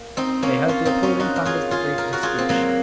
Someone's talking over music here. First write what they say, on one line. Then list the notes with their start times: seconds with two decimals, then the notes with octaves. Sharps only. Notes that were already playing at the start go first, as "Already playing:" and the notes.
They heard the applauding thunders that greeted his speech.
Already playing: A#3
0.17 C4 D#4
0.43 A#3 C#4
0.68 C#4 F4
0.85 C4 D#4
1.03 C#4 F4
1.20 D#4 F#4
1.36 A#4
1.45 F4 G#4
1.71 F4 G#4
1.98 A#4
2.13 F#4 A#4
2.23 F4 G#4
2.38 C4
2.49 F#3 A#3